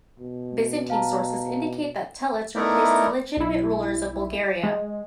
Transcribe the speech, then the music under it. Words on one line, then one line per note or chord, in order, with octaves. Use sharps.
Byzantine sources indicate that Telets replaced the legitimate rulers of Bulgaria.
B2
F5 A5 A#5
A3 B3 D#4 E4 A#4 D5
B1 E4
G#3